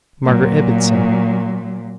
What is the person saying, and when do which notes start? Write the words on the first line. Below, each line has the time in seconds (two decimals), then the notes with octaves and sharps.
Margaret Ibbotson!
0.25 A#2 F#3